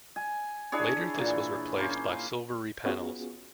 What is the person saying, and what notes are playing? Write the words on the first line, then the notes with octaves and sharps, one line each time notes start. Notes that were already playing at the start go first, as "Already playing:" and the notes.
Later this was replaced by silvery panels.
G#5
D4 E4 G#4 C#5
A#2 E3
A#3 C#4 C5
B3 C#4 F4 F#4 G#4